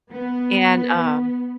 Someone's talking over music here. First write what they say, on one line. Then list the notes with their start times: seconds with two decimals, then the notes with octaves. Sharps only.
And, um,
0.12 B3